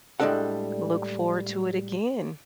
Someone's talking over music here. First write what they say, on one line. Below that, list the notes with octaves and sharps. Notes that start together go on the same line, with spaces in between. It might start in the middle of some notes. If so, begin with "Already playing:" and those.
Look forward to it again.
A2 G3 G#3 D4 A4 F#5